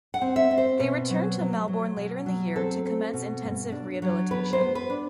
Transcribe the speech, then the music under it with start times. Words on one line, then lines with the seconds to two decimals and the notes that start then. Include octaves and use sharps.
They returned to Melbourne later in the year to commence intensive rehabilitation.
0.14 F#5
0.21 C4
0.36 E5
0.51 C4
0.58 C5
0.80 B2
1.10 F#3
1.39 F#3
1.68 F#3
1.96 B2
2.26 F#3
2.56 C4 A4
2.85 C4
3.14 B2
3.43 G2
3.72 D4
4.02 F#3
4.31 B3 B4
4.53 C5
4.60 B3
4.75 B4
4.90 D4